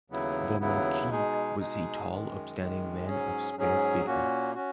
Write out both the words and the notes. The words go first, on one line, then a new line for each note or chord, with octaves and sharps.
The Marquis was a tall, upstanding man of spare figure.
D#2 C#3 F#3 B3 E4
D#2 C#3 F#3 B3 E4
B2 G#3 D#4 G#4
B2 G#3 D#4 G#4
F#2 D#3 G#3
F#2 D#3 G#3
G#2 F#3 C#4 G#4
G#2 F#3 C#4 G#4
A#2 A#3 C#4 F#4
C#4 F#4